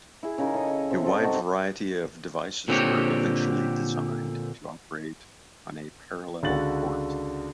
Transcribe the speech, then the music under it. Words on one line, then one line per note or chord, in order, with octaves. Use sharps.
A wide variety of devices were eventually designed to operate on a parallel port.
E4 G#4
C#3 D#4 A#4
E4 A4 C#5 D#5
C3
C4 A4 D#5
D#4 F#4 A4
A#2 D3 C4 C#4 G4 C#5
C#2 D3 F#4 A4 A6 F#7